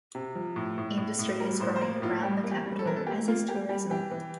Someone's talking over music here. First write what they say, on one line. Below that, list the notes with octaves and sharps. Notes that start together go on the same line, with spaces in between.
Industry is growing around the capital, as is tourism.
C3
F3
A2
A2
A2
A2
G3 A#4
A2 C5
C5
A#3 A#4
A2 F4
G3 G4
A#3
G4
G3
A4
E3 A#4
A4
A#3 G4
A#3 F4
A#3 G4
G3 G4
E3 G4
E3